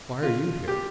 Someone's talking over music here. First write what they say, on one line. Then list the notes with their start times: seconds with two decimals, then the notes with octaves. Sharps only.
"Why are you here?"
0.23 F4
0.68 G4